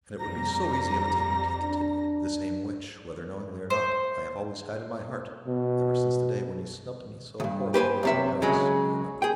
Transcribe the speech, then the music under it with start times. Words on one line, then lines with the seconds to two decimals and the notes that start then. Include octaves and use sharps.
"And it would be so easy of attainment," he continued, "this aim which, whether knowingly or not, I have always had in my heart--ever since the day when you snubbed me so horribly once in Paris, you remember."
0.19 F2 G3 A#5 A#6
1.61 D4
3.70 C5
5.47 B2
7.40 D2 G2
7.74 G4 B4 C5 G#5
8.03 F#2 C3 E5
8.42 C#3 F#3 G#3
9.22 G#4 G5